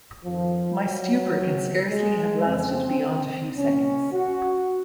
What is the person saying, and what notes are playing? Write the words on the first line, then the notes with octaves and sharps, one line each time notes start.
My stupor can scarcely have lasted beyond a few seconds.
F2 D#3 F3
F#3
C#2 C3 D#3
G#3
F2 C#3 C4
C2 A#2 C#4
F#4